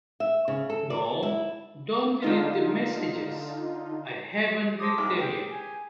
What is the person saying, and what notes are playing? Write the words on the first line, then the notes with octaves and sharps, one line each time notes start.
No, don’t delete the messages, I haven’t read them yet.
E5
C#3
A4
D5
E4
D3 D#4 F4
A4 C5 D6 D#6
C2 G#2
G4 G#4 G5
G#5